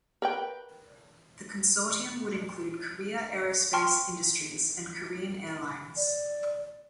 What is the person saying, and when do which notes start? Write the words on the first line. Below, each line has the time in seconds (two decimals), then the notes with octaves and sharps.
The consortium would include Korea Aerospace Industries and Korean Air Lines.
0.22 A#4 B4 G5
3.73 G5 A5 C6 C#6 F6
5.97 D5